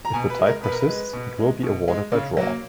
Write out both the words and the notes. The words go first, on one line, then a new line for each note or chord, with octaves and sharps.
If the tie persists, it will be awarded by draw.
A#5
B2 G#5
B4
G#3
A#4
B2 B4
A#4
B4
G#3
B2
G#3
B2
G#3
C#3
F#3 A#3